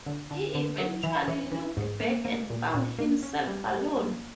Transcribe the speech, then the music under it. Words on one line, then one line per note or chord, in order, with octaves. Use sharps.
He eventually looked back and found himself alone.
D3
D3
D3
F#3
E3
E3
E3
G#2
A#3
A#3
A#2
A#2
A#3
C#4
G3
G3
A#3